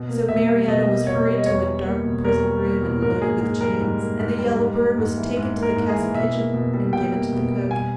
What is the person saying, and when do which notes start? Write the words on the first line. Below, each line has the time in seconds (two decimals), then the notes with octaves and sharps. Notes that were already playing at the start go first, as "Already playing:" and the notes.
So Marianna was hurried to a dark prison-room and loaded with chains, and the yellow bird was taken to the castle kitchen, and given to the cook.
Already playing: B2
0.09 A#3
0.29 B2 E5
0.48 G3
0.68 B2 D#5
0.88 A#3
1.07 B2 C#5
1.27 G3
1.38 D#5
1.46 E2 C#5
1.66 G3
1.85 A#3
2.04 B2
2.24 E2 A#4
2.44 G3
2.63 A#3
2.83 B2
3.02 G#2 A#4
3.22 A#3 G#4
3.41 G#2 G#4
3.61 G3 A#4
3.80 G#2
4.00 A#3
4.19 G#2
4.39 G3
4.58 G#2
4.78 A#3
4.98 G#2
5.17 E3
5.37 G#2
5.56 A#3
5.63 A#4
5.76 G#2
5.89 G#4
5.95 E3
6.15 B2 E5
6.34 A#3
6.54 B2
6.73 G3
6.93 B2 G5
7.12 A#3
7.33 B2
7.52 G3
7.71 B2 G#5